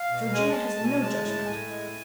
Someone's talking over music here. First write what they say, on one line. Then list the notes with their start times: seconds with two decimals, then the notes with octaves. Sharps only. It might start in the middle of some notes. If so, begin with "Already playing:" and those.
Georgina has no judgment.
Already playing: F5
0.10 B2
0.33 G#3 G#5
0.50 A5
0.55 G#3
0.67 A5
0.79 B2
0.84 G#5
1.01 G#3 A5
1.23 A2 A5
1.46 A2 G#5
1.68 G#3